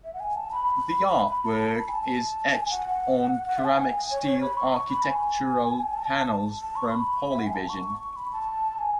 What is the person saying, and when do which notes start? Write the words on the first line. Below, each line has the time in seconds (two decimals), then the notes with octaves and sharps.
The artwork is etched on CeramicSteel architectural panels from PolyVision.
0.04 E5
0.14 F#5
0.20 G#5
0.36 A5
0.52 B5
1.29 B5
1.45 A5
1.61 A5
1.76 B5
1.88 G#5
1.92 A5
2.54 G#5
2.70 F#5
3.48 F#5
3.58 E5
3.64 A5
3.69 G#5
3.94 G#5
4.11 C#5
4.26 C#5
4.42 B5
4.57 C#6
4.73 C#6
4.88 B5
5.04 G#5
5.98 A5
6.60 A5
6.76 C#6
6.91 B5
7.30 E5
7.38 F#5
7.46 G#5
7.53 A5
7.69 C#6
8.16 B5
8.32 A5
8.78 G#5